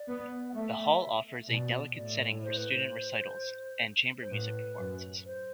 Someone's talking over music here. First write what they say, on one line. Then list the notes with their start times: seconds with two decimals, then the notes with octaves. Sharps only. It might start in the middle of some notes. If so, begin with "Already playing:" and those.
The hall offers a delicate setting for student recitals and chamber music performances.
Already playing: D5
0.08 B3
0.49 F#5
0.55 A3 E5
1.49 B2 D5
1.96 A2 D5
2.43 C5
2.57 B4
2.71 C5
4.22 C5
4.32 A2 B4
4.79 F#2
5.26 C5